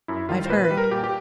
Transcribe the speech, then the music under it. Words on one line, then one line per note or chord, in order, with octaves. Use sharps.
"I've heard."
F#2 E4
D#3 G3 F4
C5
A#2 B4
B4
G3
A#4
A#2 G4
G4